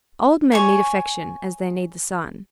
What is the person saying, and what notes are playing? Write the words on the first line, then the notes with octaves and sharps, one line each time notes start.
Old men need affection as they need the sun.
C#5 G#5 C#6